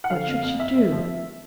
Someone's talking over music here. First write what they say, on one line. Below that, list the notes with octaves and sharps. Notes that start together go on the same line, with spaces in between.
What should she do?
F#5
D3 F5
F2
F2
F2 E5
F2
F3